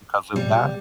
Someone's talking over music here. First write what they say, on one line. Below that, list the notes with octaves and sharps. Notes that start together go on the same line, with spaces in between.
because of that?
B2 G3